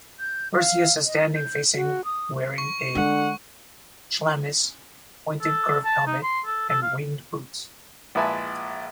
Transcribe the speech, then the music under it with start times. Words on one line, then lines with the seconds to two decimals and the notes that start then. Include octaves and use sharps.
Perseus is standing facing wearing a chlamys, pointed curved helmet and winged boots.
0.19 G6
0.55 F5
1.06 D#5
1.35 G6
1.75 F#4
2.05 D#6
2.58 C#6
2.95 D3 G#3 D4 F#5
5.41 A4
5.84 A5
6.07 D#4
6.23 C6
6.46 A4
6.69 A4
6.82 F5
8.15 A#1 G#3 E4 B4 G#5 A5